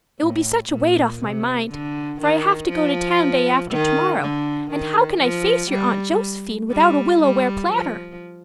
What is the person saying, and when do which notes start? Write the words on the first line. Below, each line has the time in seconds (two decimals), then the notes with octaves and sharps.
It will be such a weight off my mind, for I have to go to town day after tomorrow and how can I face your Aunt Josephine without a willow-ware platter?
0.20 A2
0.69 A#2
1.21 C3
1.70 D3
2.21 D#3
2.70 F3
3.71 D#3
4.21 D3
4.71 D#3
5.21 F3
5.71 G3
6.71 G3
7.21 G3
7.72 F3